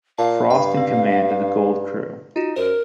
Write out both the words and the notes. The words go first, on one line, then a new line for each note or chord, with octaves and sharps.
Frost in command of the Gold Crew.
A#2 F5 A5
G2 G5 B5
C4
D#4 F4 F#4
F#2 A#4 C5